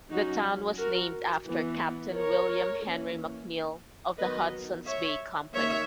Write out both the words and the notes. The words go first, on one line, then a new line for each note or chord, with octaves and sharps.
The town was named after Captain William Henry McNeill of the Hudson's Bay Company.
F#3 C#4 D#4 F#4
F#4 A#4
E3 B3
A#4 C#5
E3 A#3 C#4
D#3 F#3 B3 B4 D#5
C#5 E5
D#3 A#3 C#5 E5